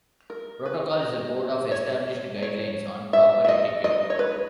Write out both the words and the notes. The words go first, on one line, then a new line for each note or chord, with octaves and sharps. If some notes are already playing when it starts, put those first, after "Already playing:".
Protocol is a code of established guidelines on proper etiquette.
A#4
B4
D#5
C#5
C#5
E5
E5
D#5
D#5
C#5
B4